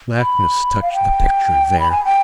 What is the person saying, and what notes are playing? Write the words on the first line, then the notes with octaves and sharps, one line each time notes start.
Blackness touched the picture there.
B5
F5
G5
B5
G#5
G5